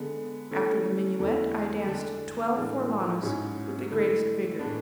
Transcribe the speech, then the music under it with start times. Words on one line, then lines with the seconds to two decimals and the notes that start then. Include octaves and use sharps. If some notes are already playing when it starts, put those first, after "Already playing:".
After the minuet I danced twelve forlanas with the greatest vigour.
Already playing: D3 G#3 B3
0.51 D3 A3 C#4 E4
1.19 E2 D3 F#3 A3 E4
1.87 D3 G#3 D4
2.55 A2 E3 G#3 D4
3.23 G#2 F#3 C#4 E4
3.91 D3 A3 E4
4.59 A2 G#3 B3 D4